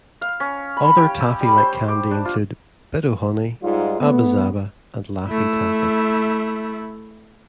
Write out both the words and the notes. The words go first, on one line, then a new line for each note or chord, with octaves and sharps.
Other taffy-like candy include Bit-O-Honey, Abba-Zaba, and Laffy Taffy.
F5
C#4
B5
G4
E6
G3
C5
D6
D4
F4
G#2 G3 D#4 F4
A3 B3
A3 E4